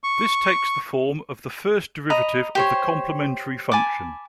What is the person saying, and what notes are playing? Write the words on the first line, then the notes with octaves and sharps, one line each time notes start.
This takes the form of the first derivative of the complementary function.
C#6
D#5 A#5 B5
G4 C5 C#5
G#5 A5 B5 D6